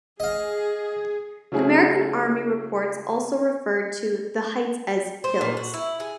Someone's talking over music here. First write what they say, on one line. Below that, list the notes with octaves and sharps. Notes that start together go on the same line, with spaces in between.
American Army reports also referred to the heights as "hills".
G#4 D#5 F5
C#3 F#3 A3 E4 G#4
C5
A#2
F#4
E4
G#4